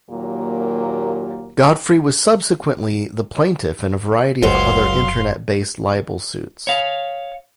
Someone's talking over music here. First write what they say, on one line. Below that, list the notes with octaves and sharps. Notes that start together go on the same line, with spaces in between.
Godfrey was subsequently the plaintiff in a variety of other internet-based libel suits.
D#2 A#2 F#3 A#3 G4 A#4
F#1 C#2 F#3 C5 F5 C6
C#5 F5